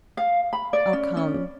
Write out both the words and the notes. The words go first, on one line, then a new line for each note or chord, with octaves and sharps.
"I'll come."
F5
B5
D5
C#4
C#4